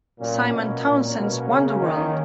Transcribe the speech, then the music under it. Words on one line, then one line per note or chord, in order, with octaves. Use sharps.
Simon Townsend's Wonder World!
A#2 F#3 A#3 C#4
B2
A#2
B2
C#3
D#3